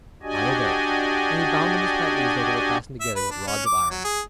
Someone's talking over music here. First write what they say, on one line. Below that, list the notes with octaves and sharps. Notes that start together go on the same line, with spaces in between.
I obeyed, and he bound them as tightly as though they were fastened together with rods of iron.
D4 F#4 G4 D5 D#5 G#5
E5
B4
D4
C#4
D6
F#3
G#4